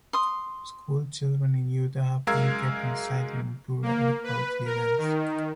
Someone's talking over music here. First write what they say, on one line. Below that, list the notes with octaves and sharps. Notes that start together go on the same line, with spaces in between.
School children in Utah have been kept inside during poor air quality events.
C6 D#6
F#2 G#3 A#4 F5 E6 G#6
A#3
B4
A#4
D#3